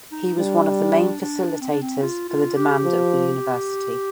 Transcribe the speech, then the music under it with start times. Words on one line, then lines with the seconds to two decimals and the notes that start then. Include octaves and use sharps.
He was one of the main facilitators for the demand of the university.
0.12 D#4
0.39 G3 D4
1.21 D4
1.61 C4
1.71 D4
1.82 C4
2.02 F4
2.29 F4
2.56 G4
2.84 F3